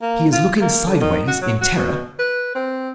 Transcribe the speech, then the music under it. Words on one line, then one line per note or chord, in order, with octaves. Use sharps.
He is looking sideways in terror.
A#3
F4
A#3
D3
D#3
F#4
F#3
F#4
B2
B4
C4